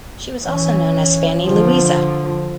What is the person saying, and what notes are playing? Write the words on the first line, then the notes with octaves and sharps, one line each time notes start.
She was also known as Fanny Louisa.
E3 C#4
D3 F3